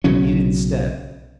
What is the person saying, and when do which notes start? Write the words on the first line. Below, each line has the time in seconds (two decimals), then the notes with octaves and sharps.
He didn't step.
0.04 B1 C#3 F#3 C#4